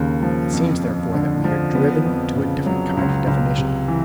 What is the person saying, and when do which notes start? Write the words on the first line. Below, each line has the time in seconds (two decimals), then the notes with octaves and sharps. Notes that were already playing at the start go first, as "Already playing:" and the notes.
It seems, therefore, that we are driven to a different kind of definition.
Already playing: D#2 C#3 A#3
0.23 F3
0.53 F2
0.84 F2
1.14 D3
1.44 F3
1.75 B3
2.06 F2
2.36 C#3
2.66 F#3
2.97 C#2
3.27 C#2
3.58 C3
3.88 E3